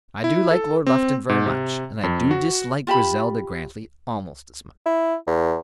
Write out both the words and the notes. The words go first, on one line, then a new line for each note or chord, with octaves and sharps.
I do like Lord Lufton very much; and I do dislike Griselda Grantly almost as much.
E4
A4
C4
G#2
C3
F2
F#4
F4 G4 A5 B5
E4
E2